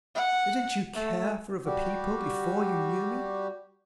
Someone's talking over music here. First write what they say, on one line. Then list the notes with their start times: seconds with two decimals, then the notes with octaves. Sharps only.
Didn't you care for other people before you knew me?
0.15 F#5
0.95 A3
1.66 G3 F#4 G4